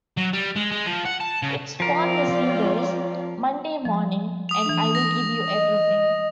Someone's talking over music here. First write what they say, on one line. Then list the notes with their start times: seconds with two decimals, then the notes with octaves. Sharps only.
It spawned the singles "Monday Morning" and "I Will Give You Everything".
0.17 F#3
0.33 G3
0.56 G#3
0.72 G#3
0.86 F3
1.06 F#5
1.21 A5
1.43 C#3
1.80 F3 C4 F4 A#4 D5
3.85 F3
4.49 D#6 F7
4.66 E3 D4
4.95 A#6
5.54 D#5